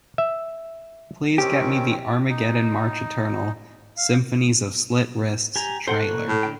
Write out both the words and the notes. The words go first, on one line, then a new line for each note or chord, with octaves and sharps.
Please get me the Armageddon March Eternal – Symphonies of Slit Wrists trailer.
E5
D#3 C4 C#4 G4
D#4
F5
G4 G#5 A#5
A4 C5 F#5 G5
A#3 C#6 F#6
A2
D3 G5